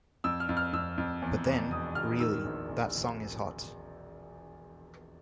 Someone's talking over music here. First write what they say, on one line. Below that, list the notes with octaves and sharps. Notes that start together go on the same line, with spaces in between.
But then, really, that song is hot.
F2 E6
F6
F2
F6
F2 E6
F2
E2
E2
E1 D#6
E1 F6
D#3 E6
A#1
A#1